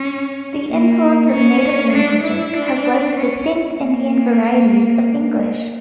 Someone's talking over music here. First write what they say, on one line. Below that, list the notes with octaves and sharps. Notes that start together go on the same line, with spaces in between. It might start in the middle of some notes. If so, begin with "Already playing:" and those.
The influence of native languages has led to distinct Indian varieties of English.
Already playing: C#4
A#3
C#4
D4
E4
D4
C#4
A#3